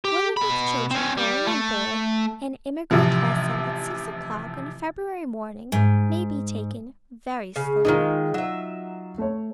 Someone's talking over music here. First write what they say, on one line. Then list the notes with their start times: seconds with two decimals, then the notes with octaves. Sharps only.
Women with children going on board an emigrant vessel at six o'clock on a February morning may be taken very slowly.
0.05 G4
0.37 B2 B5
0.91 C4 C#4
1.17 G3
1.47 A3
2.91 A1 C3 E3 F3
5.72 G#2
7.56 C#3
7.85 D#3 E3 G#3 D#4 F4
8.34 F#3 E5
9.18 A3 C#5